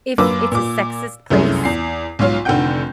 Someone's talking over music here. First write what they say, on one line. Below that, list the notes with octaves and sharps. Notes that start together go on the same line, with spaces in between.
if it's a sexist place
F#2 A#3 B4 D6 E6
A#2 D6
F1 C2 F#2 A3 C#4 G#4
E2 C7
B1 G#2 F4 C#5 F5
F1 D3 D#3 F#5 G5 G6